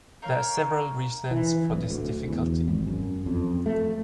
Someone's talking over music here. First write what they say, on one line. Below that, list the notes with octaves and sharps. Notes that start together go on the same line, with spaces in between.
There are several reasons for this difficulty.
D#4 A#4 C#5 F5
E3
D1
D2
E2
G#1
F#2
F2
A3